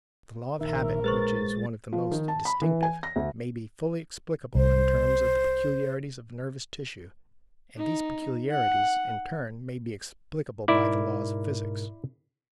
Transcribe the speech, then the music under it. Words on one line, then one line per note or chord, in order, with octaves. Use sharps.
The law of habit, which is one of the most distinctive, may be fully explicable in terms of the peculiarities of nervous tissue, and these peculiarities, in turn, may be explicable by the laws of physics.
A#1 D#3 A#4 E5
G#3 B4 C5 C#6 A6
F3
D#3
A5
B5
E3
G#5
A#6
D2
C2 C5
D#4
F#5
G#2 B2 E4 A#4 D5